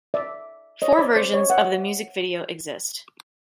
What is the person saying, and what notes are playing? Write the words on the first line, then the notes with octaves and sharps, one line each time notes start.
Four versions of the music video exist.
D5 E5
C#5 D#5
C5 D5
C5 D5
C#5 D#5
E5 F#5